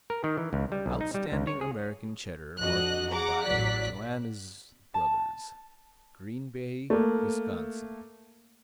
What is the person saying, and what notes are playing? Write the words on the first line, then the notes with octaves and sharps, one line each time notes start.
Outstanding American Cheddar marketed by Joannes Brothers, Green Bay, Wisconsin.
A#4
D#3
E3
C#2
G3
B1
D#4
G3
C#2
C#5
G#4
F2 D4 F#4 D#5 F#6
G#4 F#5 A#5 D6
A1 F#3 D5 F#6 B6
A5
A3 A#3